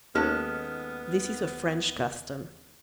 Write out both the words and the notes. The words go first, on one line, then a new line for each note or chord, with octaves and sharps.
This is a French custom.
D#2 G#3 B3 C#4 A4 F6